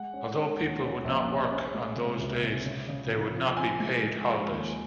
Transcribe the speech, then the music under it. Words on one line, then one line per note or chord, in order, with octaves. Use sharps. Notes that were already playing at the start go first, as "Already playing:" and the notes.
Although people would not work on those days, they would not be "paid" holidays.
Already playing: G#3 F#5
C#4
C#4
D#2
C#4
A#1
C#4
C#4
G#3
C3
C#2
C3
C#3
C#3
F3
F3
C4 G#5
G#3
G#3
F3
D#2